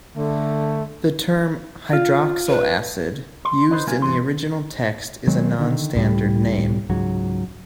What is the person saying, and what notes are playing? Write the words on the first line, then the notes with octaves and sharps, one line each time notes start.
The term "hydroxyl acid" used in the original text is a non-standard name.
D3 A3
F4
B4
C6
D#4 B4 C5
C3 F#3 A#3 F4 A#4 G#5
G2 E3 C6
D#3 F#3 G#3 C4
D3 D#3
C#2 A2 G3
C#2 G#2 F#3